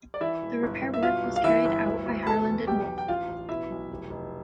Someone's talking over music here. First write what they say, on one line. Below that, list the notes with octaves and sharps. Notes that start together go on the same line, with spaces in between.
The repair work was carried out by Harland and Wolff.
D5
E3 E4 E5
E1
G1
G1
E5
B2 F4 F5
C2
F5
E3 E4 E5
G1
D2
D2
B5
B2 A4 A5
E2
B1 G4 G5
B1
G5
A1 F4 F5
A1
B2 E4 E5
B1
F1
F1